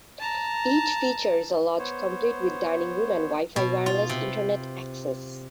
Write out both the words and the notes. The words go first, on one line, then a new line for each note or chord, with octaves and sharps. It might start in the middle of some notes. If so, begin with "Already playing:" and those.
Each features a lodge complete with dining room and Wi-Fi wireless Internet access.
A5 A#5
B3 C5 C#5
B2
F4
C3